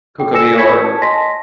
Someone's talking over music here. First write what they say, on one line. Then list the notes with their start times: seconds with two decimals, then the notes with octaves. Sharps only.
cook a meal or
0.20 A4 G5
0.34 G#5 E6 A#6 C#7 E7
0.58 C#5 G#5 C#6 G#6 B6 C#7
0.84 A5
1.02 D#5 G#5 A5 C6 A#6 B6